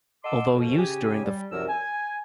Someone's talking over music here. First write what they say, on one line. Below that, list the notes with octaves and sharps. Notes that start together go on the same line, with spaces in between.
Although used during the First World War, they were sold when the war ended.
D#5 F#5 A5 C6 D6 E6
F2 B2
C#3 G4 G#5
G3
C2 F#2 D3 F3 A#4 E6
G#5